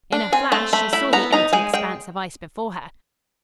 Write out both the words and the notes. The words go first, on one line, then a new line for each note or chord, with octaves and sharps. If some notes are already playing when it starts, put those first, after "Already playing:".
In a flash she saw the empty expanse of ice before her.
D4
C4 G#5
A3 A5
A3 B5
E4 B5
B3 A#5
D#4 A#5
G#3 G#5
G#3 G5